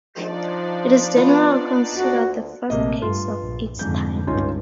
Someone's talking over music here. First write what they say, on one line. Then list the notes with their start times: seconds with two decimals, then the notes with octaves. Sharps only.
It is generally considered the first case of its type.
0.18 F3 D4 D#4 D5
1.16 B3 F4 A#5
1.94 D2 F#4
2.70 A#1 C3 A3 A#3 D#5
3.02 G2 F4
3.40 A#1
3.79 F2 G#2 D3 G6
4.27 C#2 G2 C#4 D#4 F4